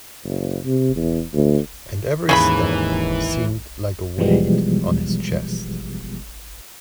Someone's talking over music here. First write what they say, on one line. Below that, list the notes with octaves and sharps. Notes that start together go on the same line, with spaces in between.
And every step seemed like a weight on his chest.
F#1
C3
E2
D2
D#2 G#2 C#3 E3 E4 B5
B2 E3 F3 G3 G#3 B3